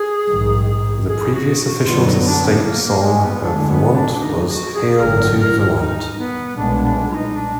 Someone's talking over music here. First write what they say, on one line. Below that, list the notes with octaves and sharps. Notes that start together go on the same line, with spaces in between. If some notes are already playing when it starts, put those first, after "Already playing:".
The previous official state song of Vermont was "Hail to Vermont!".
Already playing: G#4
A#1 G#2 D#3
G#4
F#4
F#4
F#2 D3 F#3 B3 F4
D#4
D4
B3
A#3
A#3
G#3
B3
D2 D3 G#3 D4
B3
D4
D#4
G#4
F#4
G#4
G#4
G#1 F#2 D3 F#3 A#4
A#4
D#4
B3
B1 A#2 G#3 B3 D4
D4
F4
D#4
D4